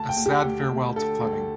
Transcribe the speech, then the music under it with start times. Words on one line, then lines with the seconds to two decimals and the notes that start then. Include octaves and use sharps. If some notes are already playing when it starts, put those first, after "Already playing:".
A sad farewell to Fleming.
Already playing: D2 A5
0.09 G5
0.17 D2
0.26 G4
0.43 D2
0.69 D2
0.96 D3 A4
1.21 D2